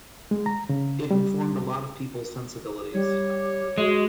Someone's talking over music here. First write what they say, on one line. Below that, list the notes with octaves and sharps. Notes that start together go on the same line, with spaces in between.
It informed a lot of people's sensibilities.
G#3
A#5
C#3
G3
G3 G4 C#5
G#3 F#4